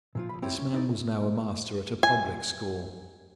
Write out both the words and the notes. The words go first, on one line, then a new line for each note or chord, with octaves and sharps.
This man was now a master at a public school.
A#2 F3 F4
C#2 B5
A3 C4 E4 G4 C#5 G5
C#4
C4 D#4 E4 D5
G#5